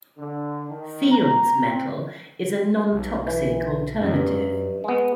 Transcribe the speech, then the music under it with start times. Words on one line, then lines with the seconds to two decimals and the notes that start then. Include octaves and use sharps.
Field's metal is a non-toxic alternative.
0.18 D3
0.69 D#3
1.12 A#5
1.66 C4
2.92 B1
3.27 E3
4.00 F#2
4.16 G2
4.84 G#3 B3